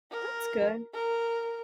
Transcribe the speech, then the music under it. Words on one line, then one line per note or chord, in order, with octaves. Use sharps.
That's good.
A#4
A#4